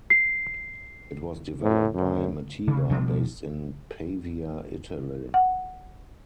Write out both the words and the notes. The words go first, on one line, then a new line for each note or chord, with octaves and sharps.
It was developed by Mateba, based in Pavia, Italy.
C7
A2
F#2
C3
B2 F3 G3 A3
F#5